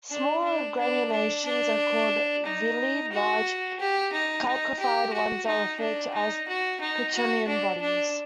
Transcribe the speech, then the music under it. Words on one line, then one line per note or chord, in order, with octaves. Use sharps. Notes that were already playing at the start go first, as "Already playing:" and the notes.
Smaller granulations are called "villi", large calcified ones are referred to as pacchionian bodies.
D4
D4
D4
D4
D4
D#4
F#4
G4
D#4
D#4
G4
F#4
D#4
D4
D#4
F#4
D#4
F#4
D4
D4